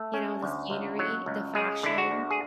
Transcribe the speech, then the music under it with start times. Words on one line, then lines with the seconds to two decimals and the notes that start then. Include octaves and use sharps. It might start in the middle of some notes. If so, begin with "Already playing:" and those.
you know, the scenery, the fashion.
Already playing: A3
0.14 C#4
0.43 D2
0.70 C#2
0.99 F#3
1.26 C#2
1.55 G#3 G#4
1.83 D3 E4
1.98 F#4
2.11 D2
2.31 G#4